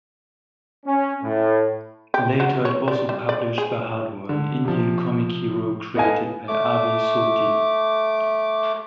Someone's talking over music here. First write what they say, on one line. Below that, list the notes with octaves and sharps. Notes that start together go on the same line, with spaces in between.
Later it also published Bahadur, an Indian comic hero created by Aabid Surti.
C#4
A2
G4
F#3
C#5
D5
G3
D5
G#4
D3
C3 F3
B3 A4 D#5 F5 G#5
A3 D6